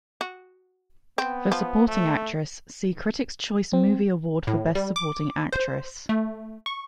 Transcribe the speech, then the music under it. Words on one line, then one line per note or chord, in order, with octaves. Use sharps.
For supporting actress, see Critics' Choice Movie Award for Best Supporting Actress.
F#4
B3 C4
F3
A3
C4
A2
G3
D6
C5
A3
C#6